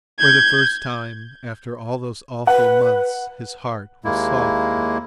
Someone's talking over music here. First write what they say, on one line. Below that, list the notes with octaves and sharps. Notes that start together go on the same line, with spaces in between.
For the first time after all those awful months his heart was softened.
G6 G#6
B4 F#5
D#2 G#3 A#3 E4